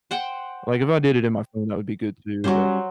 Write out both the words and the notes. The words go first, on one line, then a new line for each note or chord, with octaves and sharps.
Like, if I did it in my phone, that would be good too, but
C5 F#5 G5
F#3 G3 C#4 F#4 C5